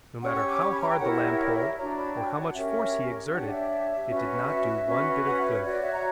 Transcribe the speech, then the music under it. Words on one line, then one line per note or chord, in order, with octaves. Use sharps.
No matter how hard the lamb pulled or how much force he exerted it did not do one bit of good.
C#4 G4 C#5 F#5
E6
D6
C#6
B5
A#5
G5
E4 G4 A#4 C#5 F#5
E5
F#5
E5
D5
E5
D4 F#4 C#5 A#5
B5
G5
F#5
C#4 G4 A#4 C#5 E5
D4 G4 C#5 F#5
D5
E5
C#4 F#4 B4
E5
C#4 F#4 B4
F#5
E5
C#5
F#4 C#5 D5
E5
A#5